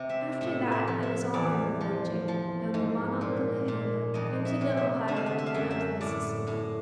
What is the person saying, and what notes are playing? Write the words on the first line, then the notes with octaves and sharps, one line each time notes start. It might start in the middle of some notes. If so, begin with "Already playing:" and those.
After that it was all river-voyaging, down the Monongahela into the Ohio, and up the Mississippi.
Already playing: C3
E5
A2 E5
E5
F3
E5
E2 D5
F3
F3
G#2
A#2
A#2
F2 D#5
E5
C3
E5
D3 E5
F5
E5
E5
F5
F#2 E5
E5
A2 D5
A2